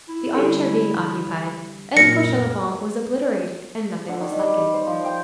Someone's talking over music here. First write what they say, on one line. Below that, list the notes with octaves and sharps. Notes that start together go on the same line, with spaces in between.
The arm-chair being occupied, M. Fauchelevent was obliterated; and nothing was lacking.
E4
D3 G3
F#2 A#2 A#4 A#6 C#7
D3
D#3
G3
G3
C5
F3
G5